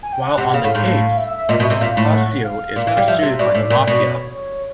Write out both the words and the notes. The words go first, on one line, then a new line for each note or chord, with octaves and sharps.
While on the case, Clouseau is pursued by the Mafia.
G#5
G5
F#5
C3
C#3 F5
A2
G#2
A2
E5
E5
E5
A#2 D#5
B2
E5
C3
A#2 F5
A2
F#5
F5
A#2
E3
G3
F3 E5
C3
B2 D5
A2
A#2
B2
C#5